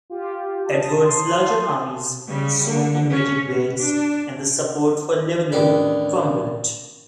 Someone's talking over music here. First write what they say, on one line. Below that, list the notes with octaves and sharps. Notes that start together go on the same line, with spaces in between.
Edward's larger armies soon invaded Wales and the support for Llewellyn crumbled.
F4 G4
A5 D#6
C6
C#3 G3
D3
C#4
B3
D4
A1 D#2 D#3 D4